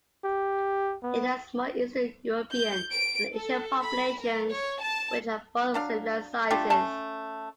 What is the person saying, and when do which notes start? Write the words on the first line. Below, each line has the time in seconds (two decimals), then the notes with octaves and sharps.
It has small Eastern European and Asian Populations which are both of similar sizes.
0.24 G4
1.03 B3
2.51 G6
2.92 D7
3.33 A4
3.82 B5
4.20 A#4
4.51 C#5
4.82 A5
5.74 F#3 D4 F5
6.51 A3 D4 F4 G4
6.70 A3 C#4 A5